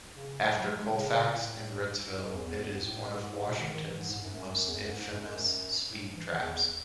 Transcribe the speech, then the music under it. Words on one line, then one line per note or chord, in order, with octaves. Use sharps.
After Colfax and Ritzville, it is one of Washington's most infamous speed traps.
C#3
F#3
G#3
G#3
C#3
A2
G#2
F#2
E2
E2
E2
G#2
A2
G#2
G#2
B2
D#3
D#3
E3
G#2
G#2
F#2
F#2
E2
F#2
G#2
G#2
F#2
A2
G#2
E3
D#3
E2
E2